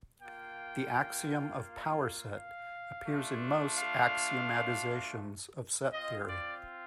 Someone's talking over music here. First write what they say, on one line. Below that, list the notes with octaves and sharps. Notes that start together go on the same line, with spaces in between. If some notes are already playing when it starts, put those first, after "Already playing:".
The axiom of power set appears in most axiomatizations of set theory.
A#3 F4 G5
F5
A3 D4 F4
F5
C4 F4 D#5
D5